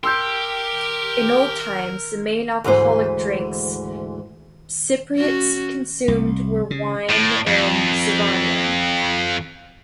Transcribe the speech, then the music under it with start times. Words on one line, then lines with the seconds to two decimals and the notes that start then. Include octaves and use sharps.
In old times, the main alcoholic drinks Cypriots consumed were wine and zivania.
0.03 G4 A#4 C6 E6 G6
2.64 D2 G#2 E3 C5
5.16 C#4 F#4
6.08 C2
6.71 C#3
7.10 A2
7.47 F2